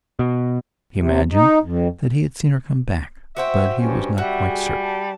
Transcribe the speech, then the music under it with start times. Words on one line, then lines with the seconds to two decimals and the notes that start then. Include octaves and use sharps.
He imagined that he had seen her come back, but he was not quite certain.
0.19 B2
0.97 C3
1.32 D#4
1.62 F2
3.37 F#4 C5 E5 G5
3.82 G2 C#4
4.18 G3 F#4 E5
4.49 G#4
4.82 A5